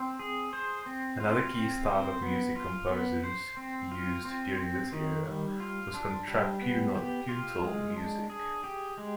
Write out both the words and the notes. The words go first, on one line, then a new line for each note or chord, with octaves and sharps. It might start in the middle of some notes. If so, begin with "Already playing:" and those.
Another key style of music composers used during this era was contrapuntal music.
Already playing: C4
G#4
C5
C4
F4
C4
C5
B3
F4
B3
C5
C4
F4
C4
C4
D#3
G3
F4
D4
G3
B3
G4
F4
G#3
D4
G#4
G4
G#3